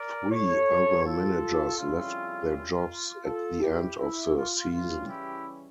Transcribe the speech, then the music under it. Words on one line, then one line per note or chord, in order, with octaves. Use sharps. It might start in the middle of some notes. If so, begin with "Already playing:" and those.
Three other managers left their jobs at the end of the season.
Already playing: A#4 D5
A4 C#5
F4 A4
F2 C#3 G3 C#4 E4 F4
F4 A4
E4 G4
E4
F4
C#3 E3 G3 C#4 E4 F4
E4 G4